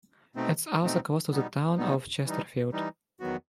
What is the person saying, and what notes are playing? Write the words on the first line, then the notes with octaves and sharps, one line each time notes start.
It is also close to the town of Chesterfield.
B2 A3 C4 D#4
B2 A3 C4 D#4
B2 G3 B3 D#4
B2 G3 B3 D#4
E3 G3 D#4
E3 G3 D#4
E2 D#3 F#3 B3 F#4